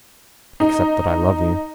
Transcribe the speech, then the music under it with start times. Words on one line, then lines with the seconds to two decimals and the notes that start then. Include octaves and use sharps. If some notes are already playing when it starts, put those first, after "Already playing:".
"Except that I love you."
0.60 D#4